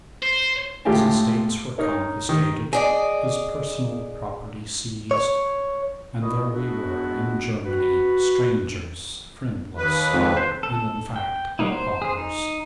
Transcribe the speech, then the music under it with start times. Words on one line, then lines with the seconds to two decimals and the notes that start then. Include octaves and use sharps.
His estates were confiscated, his personal property seized, and there we were, in Germany, strangers, friendless, and in fact paupers.
0.22 C5
0.85 A2 G#3 A3 F4 G4 G#5
1.78 D#4 A#4 C#5
2.29 D#3
2.73 G#4 D5 D#5
5.11 C#5
6.21 A#2 A#3 E4 C#5 D#5 B5
6.52 G#3 B3 D4 E4 F#4
7.65 F#4 B4
9.77 D#2 B4
10.13 F2 G#2
10.37 C5
10.63 A4
11.16 G5
11.59 F#3 G3 A#3 D#4 E4
11.72 C5
12.02 G#4 C5
12.17 D#4